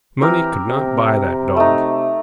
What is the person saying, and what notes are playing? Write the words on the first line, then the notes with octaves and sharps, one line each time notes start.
Money could not buy that dog.
E3 C4 G4 A#4
C3
A3 D#4